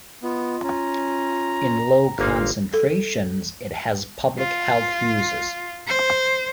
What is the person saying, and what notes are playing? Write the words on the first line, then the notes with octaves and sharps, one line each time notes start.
In low concentrations, it has public health uses.
B3 F4 D#5
C#4 A#5
G1 A#3 D#4 F4 F5
A4
F4
C5